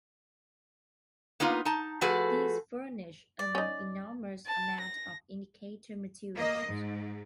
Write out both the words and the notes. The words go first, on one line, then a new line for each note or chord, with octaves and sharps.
These furnish an enormous amount of indicator material.
A#3 B3 D#4 F4
D#4 A5
F3 A3 F#4 G#4 A4 B4
D5
C#4 D#4
A5
A#6
A#3 D#5
G#2